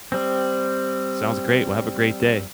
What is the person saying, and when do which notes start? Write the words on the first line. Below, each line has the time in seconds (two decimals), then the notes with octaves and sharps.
Sounds, great, well, have a great day.
0.12 G3 C4